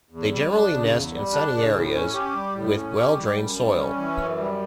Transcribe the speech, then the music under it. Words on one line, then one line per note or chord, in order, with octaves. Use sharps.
They generally nest in sunny areas, with well drained soil.
E2
G3
D4
C#3
E2
G3
D4
C#3
A2
C#4
G4
G3
A2
C#4
G4
G3
F#2
G3
C#4
E3
F#2
G3